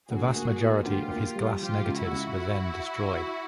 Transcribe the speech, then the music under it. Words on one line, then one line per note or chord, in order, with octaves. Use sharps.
The vast majority of his glass negatives were then destroyed.
D2 F#4 G#4
A#3
A#3
D2 F4 G4
A#3
G3
F3 F4 G4
C#2
E4 F#4
C#2